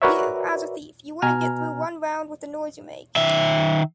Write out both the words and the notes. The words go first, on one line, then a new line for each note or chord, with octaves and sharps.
You, as a thief, you wouldn’t get through one round with the noise you make.
F#4 A#4 B4 C#5 D5 E5
B2 G#5 A#5 F6
D#3 E5